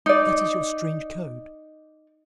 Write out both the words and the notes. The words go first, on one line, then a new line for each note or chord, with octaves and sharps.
That is your strange code.
D#4 D5